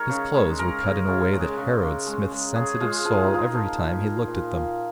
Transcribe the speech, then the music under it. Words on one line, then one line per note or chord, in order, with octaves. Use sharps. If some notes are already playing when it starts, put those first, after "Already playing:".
His clothes were cut in a way that harrowed Psmith's sensitive soul every time he looked at them.
Already playing: G#3 D#4 A#4 C#5
C#3
G#3
G#3 A#4
C#3
C#3
G#3
C#3
C#3
G#3
G#3
C#3 G#4
G#3 F4
F3 G#4
F4
D#4
A#2 F4
F3
A#2
A#2
A#2
A#2